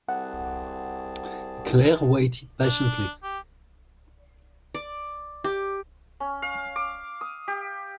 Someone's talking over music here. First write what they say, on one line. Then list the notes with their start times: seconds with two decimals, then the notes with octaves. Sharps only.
Claire waited patiently.
0.09 C2 C4 G#4 F#5 A5
2.63 D4
3.24 G4
4.75 D5
5.44 G4
6.20 C#4
6.42 F5
6.76 D6
7.21 D#6
7.48 G4